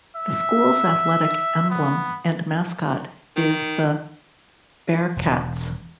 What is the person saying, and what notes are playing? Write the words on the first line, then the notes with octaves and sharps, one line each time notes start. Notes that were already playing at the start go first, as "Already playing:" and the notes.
The school's athletic emblem and mascot is the "Bearkatz".
E5
B3
D#3
E1